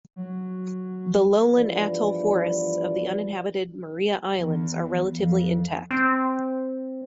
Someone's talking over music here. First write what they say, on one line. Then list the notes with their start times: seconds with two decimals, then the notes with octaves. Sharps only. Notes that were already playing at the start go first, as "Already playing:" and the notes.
The lowland atoll forests of the uninhabited Maria Islands are relatively intact.
0.16 F#3
1.51 E2 G2 F3 F4 B4 D5
4.37 E2
5.16 F2
5.91 C4